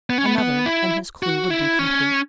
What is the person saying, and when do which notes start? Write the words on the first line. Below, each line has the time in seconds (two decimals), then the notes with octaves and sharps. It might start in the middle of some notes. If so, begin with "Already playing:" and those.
Another, and his clue would be complete!
0.10 B3
0.18 C#4
0.26 B3
0.38 B3
0.66 E4
1.23 F#4
1.50 E4
1.79 C#4